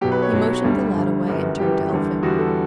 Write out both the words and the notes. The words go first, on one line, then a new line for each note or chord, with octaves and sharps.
He motioned the lad away, and turned to Elphick.
B1 B2 F#3 G4
B4
C#5
B1 B2 F#3
D2 D3 G3
D2 D3 G3
G1 F#2 E3 G3
G1 F#2 E3 G3 G4
E2 D3 G3
E2 D3 G3 F#4
A4